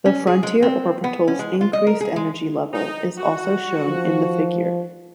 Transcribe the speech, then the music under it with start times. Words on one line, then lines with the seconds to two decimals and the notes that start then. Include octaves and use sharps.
The frontier orbital's increased energy level is also shown in the figure.
0.06 C#4
0.27 G#4
0.43 G#3
0.62 C4
1.04 B3
1.28 C#4
1.39 G#3
1.61 F4
1.73 D#5
1.87 A#4
2.01 G#4
2.16 G#3
2.73 D#4
3.18 F#4
3.85 F3